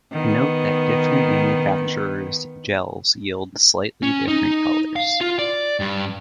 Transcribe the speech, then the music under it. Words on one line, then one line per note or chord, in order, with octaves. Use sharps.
Note that different manufacturers' gels yield slightly different colors.
D#3 B3
C#4
D#4
F5
F4
D5
G2